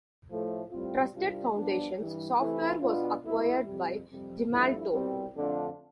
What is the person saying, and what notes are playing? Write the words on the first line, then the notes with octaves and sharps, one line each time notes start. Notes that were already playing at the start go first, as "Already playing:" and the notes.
Trusted Foundations Software was acquired by Gemalto.
A2 F3 A3
A2 G3 C4 F4
C2 C3 G3 D4 F4
G2 F3 B3 D4
G2 E3 G3
C3 E3 A3 E4
B2 B3 D4 F4
C2 B2 A3 E4
F2 C3 G3
F2 C3 G3
G2 F3 A3 E4
C2 B2 G3 C4
F2 D3 A3 D4 F4